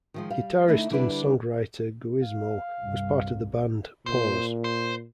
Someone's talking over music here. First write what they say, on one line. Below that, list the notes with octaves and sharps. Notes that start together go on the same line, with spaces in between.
Guitarist and songwriter Guizmo was part of the band Pause.
D#3 F3 G#3
G3 F5
D3 A3 D#4 E4
D3 G3 D4 E4 B4 D5
F5
C2 G2
A#2 C5
C5